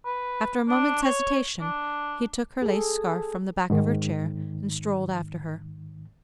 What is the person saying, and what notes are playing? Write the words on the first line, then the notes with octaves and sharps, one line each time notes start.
After a moment's hesitation he took her lace scarf from the back of her chair, and strolled after her.
B4
D4
C#5
D4
G#4 A4
G#2 D#3